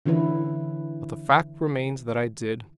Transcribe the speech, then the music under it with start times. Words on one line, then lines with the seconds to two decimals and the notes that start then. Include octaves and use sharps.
But the fact remains that I did.
0.06 D3 E3 C#4 E4 B4